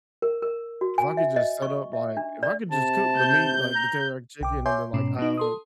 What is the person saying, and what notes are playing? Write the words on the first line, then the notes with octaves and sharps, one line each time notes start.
if I could, just, set up, like if I could, just, cook the meat, like, the teriyaki chicken and then, like, uh,
A#4
A#4
F#4
G#5
E5
D#5
C#6
E5
D4
D5
C3 A5
G6
A#5
B1 G5 D6
C#5 E5 G#5 C6 D6 G6
G#2 B2 C#4
B3 D#4
A4 C6 D#6